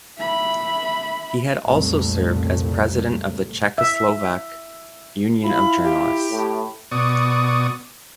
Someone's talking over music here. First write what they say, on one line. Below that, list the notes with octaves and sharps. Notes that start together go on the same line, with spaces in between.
He had also served as President of the Czechoslovak Union of Journalists.
E5 B5
F#1 C2 F2 A#2 A3
E5
E4 F4 B5
G4
A2
B2 D5 C#6 D#6